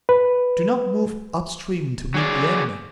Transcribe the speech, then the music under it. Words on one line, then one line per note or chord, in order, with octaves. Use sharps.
Do not move up-stream to meet the enemy.
B4
F#3 G#4 D5